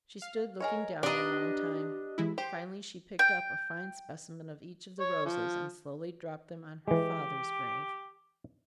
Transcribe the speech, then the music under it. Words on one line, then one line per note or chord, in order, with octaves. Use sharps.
She stood looking down a long time; finally she picked up a fine specimen of each of the roses and slowly dropped them on her father's grave.
F5
G#4 A#4 C#5 D#5
B3 D4 G4 D5 D#5 A#5 C6
E3 G#3 E4
G4 C5
G5
C#5
F3
E3 G#3 G4